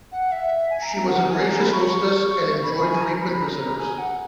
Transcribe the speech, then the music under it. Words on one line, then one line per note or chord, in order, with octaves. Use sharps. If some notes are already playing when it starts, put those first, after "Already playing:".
She was a gracious hostess and enjoyed frequent visitors.
F#5
E5
G#5
A#5
A#5
F#5
G#5
A#5
B5
C#6
B5
G#5
A#5
B5
A#5
G#5
F#5